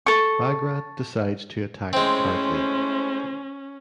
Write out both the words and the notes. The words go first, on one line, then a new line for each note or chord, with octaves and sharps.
Bagrat decides to attack Kartli.
A4 C#6
G#3 A3 C4 C#4 E4 C5